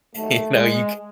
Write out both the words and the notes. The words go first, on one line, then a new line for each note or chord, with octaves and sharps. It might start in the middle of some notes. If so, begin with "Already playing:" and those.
You know, you
D#2 D#3 F#3 A3
G#3